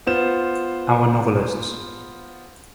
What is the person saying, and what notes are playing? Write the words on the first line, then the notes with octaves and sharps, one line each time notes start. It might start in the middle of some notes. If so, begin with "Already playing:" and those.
Our novelists.
B3 F4 C5 E7